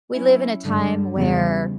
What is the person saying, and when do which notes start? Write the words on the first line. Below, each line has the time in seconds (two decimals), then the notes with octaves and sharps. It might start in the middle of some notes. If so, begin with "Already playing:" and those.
we live in a time where,
0.12 F#3 C#4 E4
0.64 G2 D3 G3
1.15 E2 C#3 E3 G3